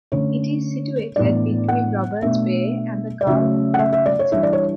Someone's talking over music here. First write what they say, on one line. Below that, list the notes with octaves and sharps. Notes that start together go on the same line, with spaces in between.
It is situated between Roberts Bay and the Gulf of Mexico.
D3 A3 C#4 C#5
A2 E3 B3 D4 D5
F#5
B2 A3 D4 E5
D5
C#3 F#3 A3 C#4 E5
F#5
E5
E5
D5
C#5
E3 G3 D4 E5
D5
C#5